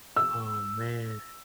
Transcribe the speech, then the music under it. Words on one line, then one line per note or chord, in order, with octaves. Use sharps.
Oh, man.
E6